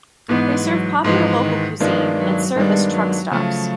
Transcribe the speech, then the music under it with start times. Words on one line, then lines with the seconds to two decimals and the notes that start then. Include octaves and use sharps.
They serve popular local cuisine and serve as truck stops.
0.29 G#2 E3 G#3 B3
0.67 F#3
1.04 G#2 E3 F3 G#3
1.42 D#3
1.80 G2 D#3 F3 G#3 B3 D4
2.18 F#3
2.56 G2 D#3 G3 G#3 B3 D4
2.93 F#3
3.31 C#3 F3 F#3 A3